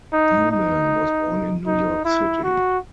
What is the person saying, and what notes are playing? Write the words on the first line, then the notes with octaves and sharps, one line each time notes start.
Newman was born in New York City.
D#4
D#4
D#4
E4
F#4